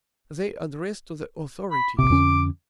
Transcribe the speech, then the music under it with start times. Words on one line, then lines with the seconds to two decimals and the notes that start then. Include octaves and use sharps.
They addressed to the authorities.
1.71 B5
1.99 A#1 C3 D6
2.10 F2 D3 C#4